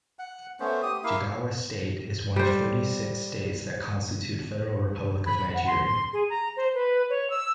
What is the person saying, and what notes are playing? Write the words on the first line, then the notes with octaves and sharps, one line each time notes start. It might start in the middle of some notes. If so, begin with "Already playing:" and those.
Jigawa State is one of thirty-six states that constitute Federal Republic of Nigeria.
F#5
A3 B3 C#4 C5
G4 D#6
A#3 E4 F5
G3 C5
B5
F#5
C6
G#4
A#5
C5
B4
C#5
E6